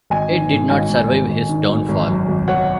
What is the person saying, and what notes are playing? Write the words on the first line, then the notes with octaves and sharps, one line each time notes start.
It did not survive his downfall.
G#1 D#5 G#5
D#3
G#2
G#1 D#5 G#5
G#2
G#1
G#1
D#3
G#1
G#1
F#2
G#1
B1 C#5 F#5